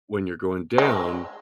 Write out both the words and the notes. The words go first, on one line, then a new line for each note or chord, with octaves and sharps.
When you're going down,
G#3